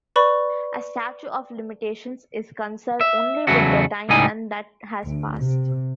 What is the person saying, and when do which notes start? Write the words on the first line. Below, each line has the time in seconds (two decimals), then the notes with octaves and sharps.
A statute of limitations is concerned only with the time that has passed.
0.16 B4 D5 B5 C#6
3.01 E5
3.47 E2 C#3 F#3 A3 F#4
4.09 C#2 A2 G3 D#4 G#5
5.04 D2
5.40 C3